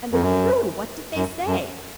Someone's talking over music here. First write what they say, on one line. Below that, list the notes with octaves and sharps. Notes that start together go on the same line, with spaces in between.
"And the crew, what did they say?"
F2
F#2
F#2
F#2